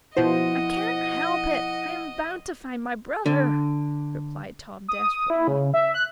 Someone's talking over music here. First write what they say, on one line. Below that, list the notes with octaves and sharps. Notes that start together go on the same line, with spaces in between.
"I can't help it--I am bound to find my brother," replied Tom desperately.
B2 F3 E4 C5 D#5 F#5
D3
D#6
E4
C#3
E5
F#6